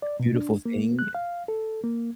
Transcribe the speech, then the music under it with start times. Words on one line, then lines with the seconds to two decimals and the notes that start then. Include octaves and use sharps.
beautiful thing
0.02 D5
0.20 B2
0.35 D4
0.66 A#3
0.99 F#6
1.15 F5
1.48 A4
1.84 A#3